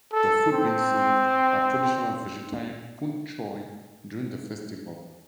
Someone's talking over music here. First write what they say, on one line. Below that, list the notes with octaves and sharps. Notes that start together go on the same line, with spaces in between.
The food being served are traditional vegetarian poon choi during the festival.
A4
C4